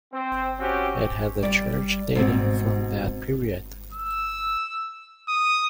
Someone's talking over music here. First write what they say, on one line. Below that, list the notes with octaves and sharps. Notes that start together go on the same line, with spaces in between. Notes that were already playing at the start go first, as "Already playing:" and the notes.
It has a church dating from that period.
C4
C4 C#4 F#4 G4
G3 D5
G#2 B2 C4
E6
D#6